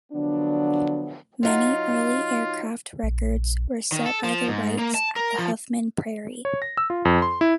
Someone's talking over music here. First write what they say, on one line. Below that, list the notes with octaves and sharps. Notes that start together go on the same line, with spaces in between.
Many early aircraft records were set by the Wrights at the Huffman Prairie.
D3 F3 F#3 B3 D4
F#3 D#4 F4
A#1
D#3
A4
F3
G#2
A#3
A5
A#4
F3
C#5
A#6
E6
F4
F2
C6
E4